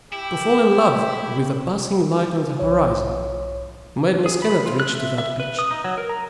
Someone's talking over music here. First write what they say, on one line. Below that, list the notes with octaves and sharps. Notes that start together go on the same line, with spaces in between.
To fall in love with a passing light on the horizon, madness cannot reach to that pitch.
E4 G4
B1 C#5
G#4
B5
F4
F#6
E5
E5
B4
D#6
D#4
F#3
A#4
A#5